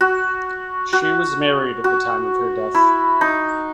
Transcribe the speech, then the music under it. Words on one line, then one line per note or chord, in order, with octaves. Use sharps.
She was married at the time of her death.
F#4
F#4
F#4
E4
D#4